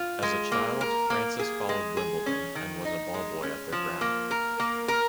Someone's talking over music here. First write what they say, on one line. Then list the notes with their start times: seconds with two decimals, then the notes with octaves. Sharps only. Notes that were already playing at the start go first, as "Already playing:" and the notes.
As a child Francis followed Wimbledon, and was a ball boy at their ground.
Already playing: F4
0.22 G#3
0.52 A#3
0.81 A#4
1.10 A#3
1.39 G#4
1.69 G#3
1.97 G#4
2.26 C#4
2.55 D#3
2.85 D#4
3.14 G#3
3.43 C#4
3.72 F3
4.01 A#3
4.31 A#4
4.60 A#3
4.88 A#4